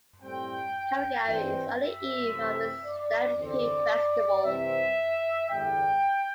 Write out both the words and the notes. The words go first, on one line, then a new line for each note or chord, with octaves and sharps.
Calgary is on the eve of its Stampede festival.
A2 G3 C4 G5
G2 E3 C4
E5
C3 E3 A3 C4
D5
E2 D3 C4 D5
C3 E3 G3 C4 E5
E2 D3 G3 G5